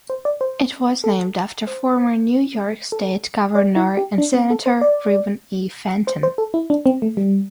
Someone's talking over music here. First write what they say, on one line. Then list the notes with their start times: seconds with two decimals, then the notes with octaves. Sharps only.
It was named after former New York State governor and senator Reuben E. Fenton.
0.10 C5
0.25 D5
0.41 C5
1.04 A4
1.67 C5
2.92 A4
3.55 D5
3.76 E4
3.97 G4
4.18 D4
4.34 C4
4.50 A4
4.66 C5
4.81 D5
6.07 C5
6.23 C5
6.38 A4
6.54 E4
6.70 D4
6.86 C4
7.02 A3
7.17 G3